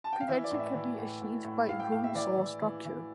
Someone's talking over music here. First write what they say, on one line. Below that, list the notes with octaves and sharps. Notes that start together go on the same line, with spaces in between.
Prevention can be achieved by improving soil structure.
A5
G5
F5
E3 E5
D5
A2
E5
E3
A2
A2
A2
A2 F5
G5
A2 F5
E5
E3 D5
E3
E3
E3